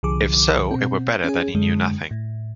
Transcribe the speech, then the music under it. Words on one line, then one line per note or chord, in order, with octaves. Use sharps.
If so, it were better that he knew nothing.
C2 D3 F3 G#4 D6
B2 C4
C#4 G#4
F#2 D3 G#3
A2